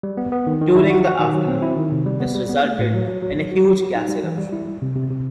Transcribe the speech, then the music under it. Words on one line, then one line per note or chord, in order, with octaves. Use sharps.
During the afternoon, this resulted in a huge gas eruption.
G3
B3
B3
D#3
D#3
E4
F#4
F#4
D#3
F#3
C4
E4
D#3
C3
G3
B3
G3
B3
A3
A2
F#3
F#3
F#3
F#3
F#4
F#3
F#4
D#4
G3
E3
G3
E4
G3
C3
C3
C3